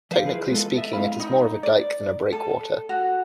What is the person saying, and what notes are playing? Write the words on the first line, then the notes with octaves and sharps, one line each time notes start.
Technically speaking, it is more of a dike than a breakwater.
F3 B4 C5 F5
E4 F4 G#4 B4
G#3 B3 A4
D#5 E5
G#3 C4 E4 F5 B5
D#4
D5
A4
F#4